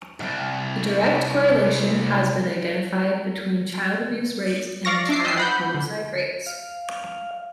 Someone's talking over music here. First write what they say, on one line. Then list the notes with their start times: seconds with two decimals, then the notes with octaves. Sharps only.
A direct correlation has been identified between child abuse rates and child homicide rates.
0.20 C2 G#2
4.85 D5 F5 C#6 A#6
5.09 D4 E5 D6 C7
5.25 D#5 E5 G5 C7
5.37 F#5 B5 G6
5.74 D3
6.47 F5